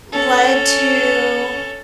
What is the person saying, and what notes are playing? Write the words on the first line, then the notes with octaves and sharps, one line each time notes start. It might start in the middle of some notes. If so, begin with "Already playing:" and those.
led to
C#4 A4